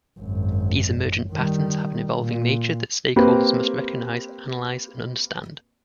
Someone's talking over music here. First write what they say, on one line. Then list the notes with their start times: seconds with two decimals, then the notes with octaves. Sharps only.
These emergent patterns have an evolving nature that stakeholders must recognize, analyze and understand.
0.19 G#1 F#2
1.33 D#3 G3
2.20 A#2
3.16 A#3 C4 G4 B4